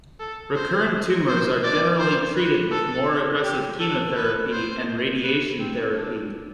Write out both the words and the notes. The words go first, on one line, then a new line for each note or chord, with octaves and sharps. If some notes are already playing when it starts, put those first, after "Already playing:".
Recurrent tumors are generally treated with more aggressive chemotherapy and radiation therapy.
A4
C5
C5
D5
C5
B4
A4
G4
A4
B4
C5
B4
C4
D4